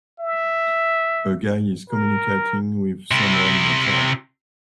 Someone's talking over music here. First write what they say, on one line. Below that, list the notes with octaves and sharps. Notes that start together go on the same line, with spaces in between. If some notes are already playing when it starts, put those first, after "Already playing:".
A guy is communicating with someone in a car.
E5
A#4
C3 E4